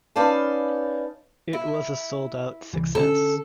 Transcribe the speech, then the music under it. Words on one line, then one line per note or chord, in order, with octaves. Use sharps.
It was a sold-out success.
C#4 D#4 B4 D5 F5 A5
E4
C2 E3
D3 C#4 A4